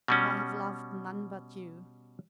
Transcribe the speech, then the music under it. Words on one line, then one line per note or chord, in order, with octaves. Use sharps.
I have loved none but you.
B2 G3 C#4